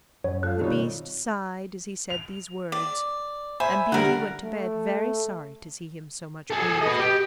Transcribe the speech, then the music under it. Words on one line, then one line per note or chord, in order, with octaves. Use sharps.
The beast sighed as he said these words, and Beauty went to bed very sorry to see him so much grieved.
F#2 C#5
F4 A4 F5 F#6
B2 D#3 G3 C4 D#4 C#5
F7
D5
C5 E5 G#5 B5
D3 G3 A#4 F#5
A3
G#4 A4
B4 D#5
G4